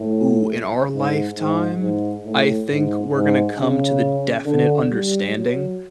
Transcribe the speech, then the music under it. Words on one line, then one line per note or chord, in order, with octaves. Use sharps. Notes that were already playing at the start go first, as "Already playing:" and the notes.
Ooh, in our lifetime, I think we're gonna come to the definite understanding
Already playing: A2
G#2
G#2
G#2
A2
G#2
G#2
C#3
D3
G3
F#3